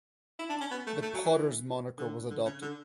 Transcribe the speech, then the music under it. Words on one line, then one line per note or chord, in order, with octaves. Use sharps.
The "Potters" moniker was adopted.
E4
D4
C#4
B3
A3
A3
F#3
E3
D3
D3
C#3
D3